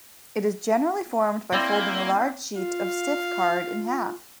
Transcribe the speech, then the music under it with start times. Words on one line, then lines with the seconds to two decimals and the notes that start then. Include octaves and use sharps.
It is generally formed by folding a large sheet of stiff card in half.
1.53 A#3 C4 E4 D5
2.57 F4 F5